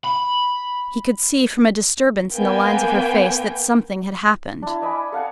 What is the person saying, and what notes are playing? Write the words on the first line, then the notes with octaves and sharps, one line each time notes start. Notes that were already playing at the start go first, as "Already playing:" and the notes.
He could see from a disturbance in the lines of her face that something had happened.
B5
A#3 B3 G5 G#5
D4 E4
D5 D#5 G#5 B5
A4 F5 F#5 G#5